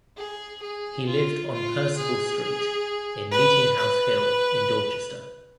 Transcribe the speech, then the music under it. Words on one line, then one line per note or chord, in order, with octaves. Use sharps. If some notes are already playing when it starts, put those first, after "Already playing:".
He lived on Percival Street in Meeting House Hill in Dorchester.
G#4
G#4
F4
F4
G#4
B4
B4